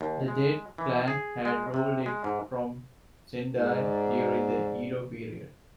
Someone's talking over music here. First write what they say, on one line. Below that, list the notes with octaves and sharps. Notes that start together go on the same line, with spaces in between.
The Date clan had ruled it from Sendai during the Edo period.
D#2
G#3
E3
G#4
G#3
C3
G#3
G#2
G#2 D#4 D5